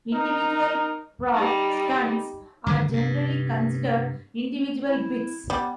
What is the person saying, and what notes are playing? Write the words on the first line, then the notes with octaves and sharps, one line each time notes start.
Individual prop stunts are generally considered individual bits.
D#4 A#4
G3 D#4
G2 D3 D#3 F3
G2 C3
E4
G3 B3